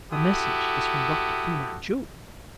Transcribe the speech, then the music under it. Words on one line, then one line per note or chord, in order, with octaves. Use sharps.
"The message is from Dr. Fu-Manchu!"
E4 F#4 G4 A4 D#6